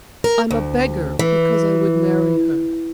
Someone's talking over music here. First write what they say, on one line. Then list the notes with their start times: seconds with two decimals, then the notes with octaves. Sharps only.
I'm a beggar because I would marry her.
0.24 A#4
0.51 D2
1.19 E3